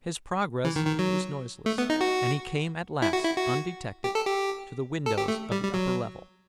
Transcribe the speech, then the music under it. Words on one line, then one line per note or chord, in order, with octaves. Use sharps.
His progress was noiseless and he came at last, undetected, to the windows of the upper level.
E3
D#3
D#3
F#3
A3
B3
D#4
F#4
E4
F#4
E4
F#4
G4
A4
G4
A4
G4
A3
G3
G3
F#3